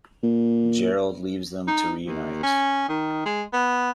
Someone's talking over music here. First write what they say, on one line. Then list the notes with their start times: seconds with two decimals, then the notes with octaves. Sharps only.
Gerald leaves them to reunite.
0.23 A#2
1.68 D#4
2.06 D#2
2.43 C#4
2.89 D#3
3.25 G#3
3.53 B3